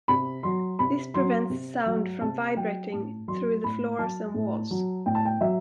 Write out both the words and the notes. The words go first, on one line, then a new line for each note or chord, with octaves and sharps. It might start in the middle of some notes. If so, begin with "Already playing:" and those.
This prevents sound from vibrating through the floors and walls.
C3 B5
F#3 C6
C3 B5
F#3 C6
C3
F#3
C3 A5
F#3 G5
A2 A5
F#3 C6
A2 B5
F#3 A5
A2
F#3
A2 G5
A5
G5
F#3 E5